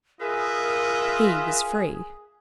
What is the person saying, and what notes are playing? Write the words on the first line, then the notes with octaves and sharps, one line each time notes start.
He was free.
F4 G#4 A#4 B4 D#5 E5